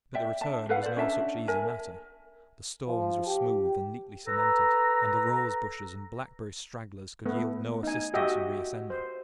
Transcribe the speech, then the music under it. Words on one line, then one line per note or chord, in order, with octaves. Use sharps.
But the return was no such easy matter: the stones were smooth and neatly cemented, and the rose-bushes and black-berry stragglers could yield no assistance in re-ascending.
D5 E5 G5
D4 E5 A5
A4 B4 F5 F#5
C5 D5
C#4 D4 E5 A5
A#4 E5 G#5 A5
F3
G4
A4 B4 A#5
A3 B3
D#4 G#5
F#4 G4 D#5 E5
C5